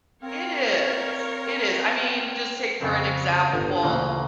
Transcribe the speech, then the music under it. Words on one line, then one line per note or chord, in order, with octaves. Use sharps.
It is, it is I mean, just take for an example,
C4 A#4 C#5 F5
F2 C#3 C4 A5
G1 A#5
D2 A#2 C#3 E3 A#3